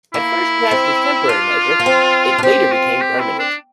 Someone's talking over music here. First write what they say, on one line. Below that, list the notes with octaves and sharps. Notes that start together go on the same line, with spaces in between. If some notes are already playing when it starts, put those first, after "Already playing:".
At first passed as temporary measure, it later became permanent.
A#3 E4
C4
D4 F4
A#3
C4
D4
C4 G4
F4
G4
E4
D4